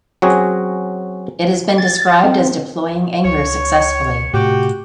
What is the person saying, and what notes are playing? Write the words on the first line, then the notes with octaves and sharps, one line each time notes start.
It has been described as deploying anger successfully.
F#3 C4 C#4 F#4 G#4
A6
C4
C#2 C#5
A2 C3 F#4 G4